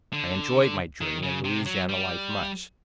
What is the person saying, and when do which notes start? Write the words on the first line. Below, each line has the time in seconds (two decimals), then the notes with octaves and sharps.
I enjoy'd my journey and Louisiana life much.
0.13 D3
1.01 D#3
1.23 C#3
1.45 C3
1.66 F#3
1.89 G3